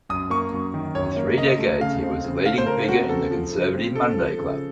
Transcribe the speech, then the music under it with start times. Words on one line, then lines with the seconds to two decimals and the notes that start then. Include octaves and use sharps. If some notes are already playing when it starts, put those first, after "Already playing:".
For three decades, he was a leading figure in the Conservative Monday Club.
0.09 F#2 D#6
0.30 A#3 C#6
0.53 F#2
0.74 D#3
0.95 F#2 C#5
1.17 A#3
1.38 C#3 D#5
1.59 A3
1.81 C#3 F5
2.03 C4
2.24 C#3
2.46 A3 F5
2.58 C5
2.66 C#3 A#4
2.88 C4 F#4
3.09 C#3 A4
3.31 F3
3.52 C#3
3.74 C4
3.95 C#3 A4
4.17 F3
4.38 C#3